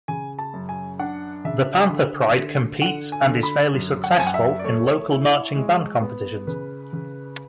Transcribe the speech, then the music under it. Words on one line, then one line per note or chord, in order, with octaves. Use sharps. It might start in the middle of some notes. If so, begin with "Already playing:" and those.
The Panther Pride competes, and is fairly successful, in local marching band competitions.
C#3 G#5
A5
F#2
G#5
D4 F#5
C#3 E5
D3
D3
D3 F#5
G#5
D3
B5
F#2
F#5
A5
F#2 G#5
F#5
E5
D5
A3 C#5
E4
G#3
B3
C#3 B4
C#3